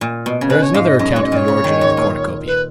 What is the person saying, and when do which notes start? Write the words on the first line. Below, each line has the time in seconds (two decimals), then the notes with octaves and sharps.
There is another account of the origin of the Cornucopia.
0.01 A#2
0.26 B2
0.41 C#3
0.50 B2 B4
0.62 C#5
0.74 G#2 F5
0.87 D#5
0.99 F#2 D#5
1.12 G#2 C#5
1.23 D#5
1.32 A#2 C#5
1.48 C#3
1.64 D#3
1.81 G#2
1.97 A#2
2.46 B4